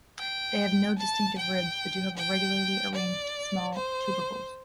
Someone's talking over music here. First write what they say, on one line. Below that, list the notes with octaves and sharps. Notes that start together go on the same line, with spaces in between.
They have no distinctive ribs, but do have regularly arranged small tubercles.
G5
A5
G5
G5
D5
C5